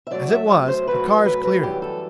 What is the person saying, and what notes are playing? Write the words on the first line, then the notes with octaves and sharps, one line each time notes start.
As it was, the cars cleared it.
E5
F#2 F#3 A3 D5
E5
C5
F#2 F#3 A3 B4
A4
B4
B4
F#2 E3 G3 G4
A4